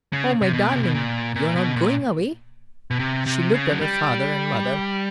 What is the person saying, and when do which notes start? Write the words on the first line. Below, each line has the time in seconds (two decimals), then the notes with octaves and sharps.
"Oh, my darling, you're not going away!" She looked at her father and mother.
0.13 C#3
0.42 C3
0.53 B2
0.72 C3
0.83 B2
0.94 A#2
1.36 A#2
1.56 B2
1.76 A#2
2.91 B2
2.99 C3
3.26 C3
3.54 C#3
3.72 F#3
3.81 G3